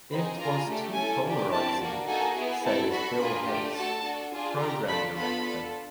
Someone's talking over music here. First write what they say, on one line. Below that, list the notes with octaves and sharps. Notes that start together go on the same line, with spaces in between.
"It was too polarizing," says Bill Hess, program director.
C4 D#4 G#4 B5
D4 F4 G#4 A#5
A3 D4 G4
C#4 E4 A4 G#5
A#3 D4 G4
C4 E4 G4 A5
A#3 D4 F#4
A#3 D#4 F#4 A4 G#5
B3 E4 G#4
C4 E4 A4 A5
D4 F#4 A4 B5
A#3 D4 F4 G#4
A3 D4 G4
D4 F#4 A4 A5
D4 F#4 A4
D4 F4 G#4
D4 G4 A#5
D4 F4 A4 B5
B3 D4 F4 A4 B5
D4 F4 A4